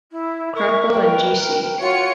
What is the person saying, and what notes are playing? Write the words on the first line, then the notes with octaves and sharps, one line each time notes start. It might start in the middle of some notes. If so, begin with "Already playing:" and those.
Crapo and G.-C.
E4
A#4 E5 C#6
B4 G5
F4 F#4 C#5 C#7